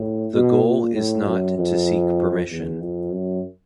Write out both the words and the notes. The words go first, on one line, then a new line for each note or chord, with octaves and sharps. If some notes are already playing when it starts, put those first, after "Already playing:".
The goal is not to seek permission.
Already playing: A2
B2
A#2
A2
F#2
F2
E2
F2
F#2